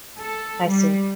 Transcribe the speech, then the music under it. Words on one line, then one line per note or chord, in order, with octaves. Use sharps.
I see.
A4
G3